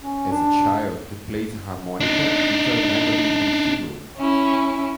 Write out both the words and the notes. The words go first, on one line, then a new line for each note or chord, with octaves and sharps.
As a child he played harmonica, guitar, mandolin and fiddle.
C#4
D4
D4 D#4
C#4 E4